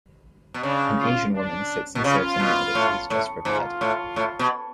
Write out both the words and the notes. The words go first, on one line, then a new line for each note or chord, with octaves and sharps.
An Asian woman sits and serves a meal that she has just prepared.
B2
C#3 D4
F4
D4
B2
C#3 F4
B2
A2
A2
G#2 F4
A2
A2
B2